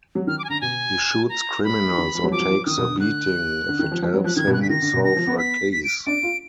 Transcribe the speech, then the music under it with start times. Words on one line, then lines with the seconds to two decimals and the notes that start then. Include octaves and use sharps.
He shoots criminals or takes a beating if it helps him solve a case.
0.15 F#3
0.27 D#3 F6
0.39 D6
0.44 G#5
0.49 D3 A#5
0.61 B2 G#5
1.29 A#5
1.64 B5
1.90 F3
1.98 D#3
2.15 F3
2.24 F#3
2.31 F3 D6
2.39 F#3
2.49 F3
2.66 D#3 D#6
2.78 B2
2.89 D3
3.00 D3 F#6
3.69 D3
3.79 D#3
3.91 F3
4.02 F3
4.14 F#3
4.24 F3 F#6
4.36 D#3 G#6
4.47 B2
4.54 F#6
4.59 D3
4.62 B6
4.70 D#3 A#6
4.82 D3
4.93 B2
5.04 D3 A#6
5.16 F3
5.27 B3
5.38 B6
5.72 B6
5.84 D7
6.06 D4 D7
6.23 F4